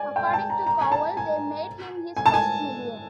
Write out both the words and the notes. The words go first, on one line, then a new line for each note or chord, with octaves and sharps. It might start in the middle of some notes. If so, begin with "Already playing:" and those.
According to Cowell, they made him his first million.
Already playing: D5 G#5
G5
G#5
A5
A#5
A#5
G#5
A5
G#5
G#5
A5
G#5